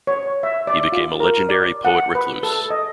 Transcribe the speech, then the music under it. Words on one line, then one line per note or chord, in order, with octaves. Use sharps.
He became a legendary poet-recluse.
C#5
E5
D5
F4
A#4
D5
F#5
B4
A4
D#5